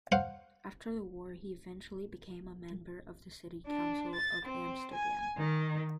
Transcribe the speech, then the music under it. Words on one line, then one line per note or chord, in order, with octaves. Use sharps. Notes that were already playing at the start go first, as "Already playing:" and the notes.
After the war he eventually became a member of the city council of Amsterdam.
C5 F5 F#5
D4
A6
C4
G#5
D#3